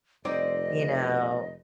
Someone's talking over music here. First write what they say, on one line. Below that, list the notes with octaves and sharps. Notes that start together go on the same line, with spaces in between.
you know,
F1 C4 D#4 D5 D#5